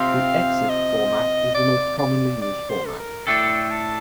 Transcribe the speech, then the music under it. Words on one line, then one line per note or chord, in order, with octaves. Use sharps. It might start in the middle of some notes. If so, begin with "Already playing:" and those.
The Exif format is the most commonly used format.
Already playing: C3 F3 C4 F5
D#5
D5
D5
D5
C5
A4
A#4
A2 A3 D4 A4 G5
A5